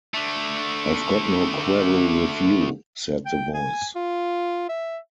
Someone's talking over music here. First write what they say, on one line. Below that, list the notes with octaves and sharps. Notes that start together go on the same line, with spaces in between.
"I've got no quarrel with you," said the Voice.
D3 A3
G5
G#5
F4
E5